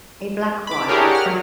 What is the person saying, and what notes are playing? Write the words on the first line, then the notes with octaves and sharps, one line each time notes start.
A black wife.
B5 D6
D4 E4 G4 G#4 A#4 C#5
F#5 F6
F#3